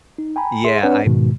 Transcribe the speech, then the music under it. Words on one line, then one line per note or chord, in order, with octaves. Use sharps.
Yeah, I
D#4
G5 G#5 A#5 B5
G#4 E5 C6
C4 D4 B4 C#5 D5 F#5
G#2 B2 D#3 G#3